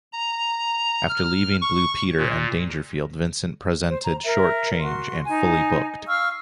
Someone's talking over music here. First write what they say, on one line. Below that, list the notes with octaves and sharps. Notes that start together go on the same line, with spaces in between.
After leaving "Blue Peter" and "Dangerfield", Vincent presented "Short Change" and "Fully Booked".
A#5
F6
C#6
A#2
C5
A#5
A#4 E5
F#4 C6
D#4 G#5
F5 C#6 E6 F6